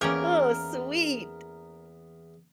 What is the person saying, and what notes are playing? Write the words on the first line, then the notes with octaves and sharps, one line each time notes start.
Oh, sweet.
E2 A#3 C#4 G4 A#4